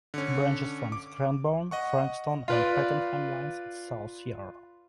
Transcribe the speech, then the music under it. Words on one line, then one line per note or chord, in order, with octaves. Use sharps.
Branches from the Cranbourne, Frankston and Pakenham lines at "South Yarra".
D3 C#4
D6
D#5 F#5 C#6
F4 B4 D5